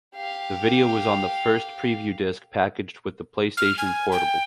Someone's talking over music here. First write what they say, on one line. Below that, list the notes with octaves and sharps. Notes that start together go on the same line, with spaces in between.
The video was on the first preview disk packaged with the PlayStation Portable.
G4 F5
F6
G#5
G5